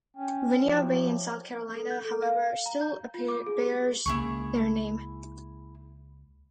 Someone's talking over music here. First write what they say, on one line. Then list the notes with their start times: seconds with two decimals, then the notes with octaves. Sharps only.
Winyah Bay in South Carolina, however, still bears their name.
0.16 C#4 G5
0.65 F3 F#3 E4 G4
1.75 A4
1.90 G6
2.04 A4
2.22 F5
2.66 A#5
2.81 G6
3.14 F4
3.28 D6
3.46 G#4
3.61 G4
4.06 C#2 C#3 A#3 E4 G#4 C#6